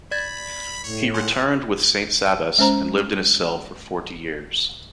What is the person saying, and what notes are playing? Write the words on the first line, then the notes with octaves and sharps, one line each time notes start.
He returned with Saint Sabas and lived in his cell for forty years.
D5 B5 G#6 A6
A2 C#5
F#5 G#5 C6
G#3 C#4 C5 A#5